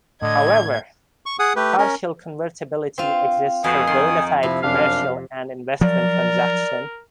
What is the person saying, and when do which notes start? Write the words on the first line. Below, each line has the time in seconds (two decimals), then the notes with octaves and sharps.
However, partial convertibility exists for bona fide commercial and investment transaction.
0.22 A2 D3 D#5 G#6
1.26 C#6
1.39 G#4 F#5 D#6
1.56 A3 G4 B4
1.78 C#4 A#4
2.98 C4 F4
3.64 F2 B2 G#5 D#6
3.87 D#3 C6
4.43 C3 F3 E4
4.63 F#2 D4 F5
5.81 F3 F#3 A#4 D5